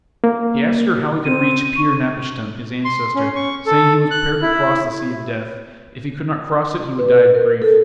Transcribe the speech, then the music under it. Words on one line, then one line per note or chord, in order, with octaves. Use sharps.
He asked her how he could reach Pir-napishtim, his ancestor, saying he was prepared to cross the Sea of Death: if he could not cross it he would die of grief.
A#3
C4 D#7
C#6
C6
C#4
C#6
A4
F#6
E4
B4
A#4
A4